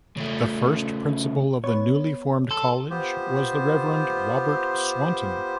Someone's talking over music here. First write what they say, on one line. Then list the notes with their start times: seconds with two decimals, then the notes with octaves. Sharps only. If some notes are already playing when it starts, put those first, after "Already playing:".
The first principal of the newly formed college was the Reverend Robert Swanton.
0.17 C#3 A3
1.64 B3 C#5
2.51 A4 C6
2.90 B3 F4 G4 C5